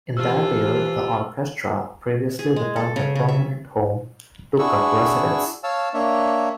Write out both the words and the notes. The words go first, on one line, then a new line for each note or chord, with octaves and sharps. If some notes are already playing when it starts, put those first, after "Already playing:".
In that year the orchestra, previously without a permanent home, took up residence.
E3 F4 G4 C5 A5 E6 F6
G#4
G#3
A4
C#3
C#3
E5
D4 E4 F#4 G#4 C#6 E6
C#5 F5 A5 E6
A#3 D4 C#5 E5